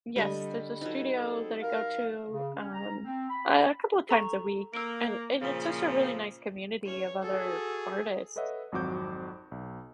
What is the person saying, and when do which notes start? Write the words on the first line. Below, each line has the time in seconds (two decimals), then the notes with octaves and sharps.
yes, there's a studio that I go to, um, a couple of times a week, and and it's just a really nice community of other artists.
0.16 D3 G3 D#5 C#6
0.81 F#3 D#4 A4 B4
1.16 C4 G#4 A4
1.63 A#4 F5
2.30 C#3
2.54 C#4
2.73 A#5
3.04 C4
3.29 B5
4.09 A4 A#5 C#6
4.74 A#3 E6 D7
5.42 A#2 C#3 F3
6.86 E2 C#4 C#5
7.22 F#4 G#4 A4
8.36 A4 B4 C#5 D#5 E5 F#5
8.72 G#1 F2 F#3 F#4 D6 G6
9.51 B1